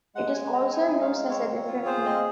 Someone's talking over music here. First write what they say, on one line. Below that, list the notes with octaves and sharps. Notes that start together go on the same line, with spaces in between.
It is also used as a different name.
G#3 F#5
G#3 G#5
C4 A#5
D#4 G#5
G#3
F5
G#3
C4 C#5
C4
F4
G#4 C5
C4 D#5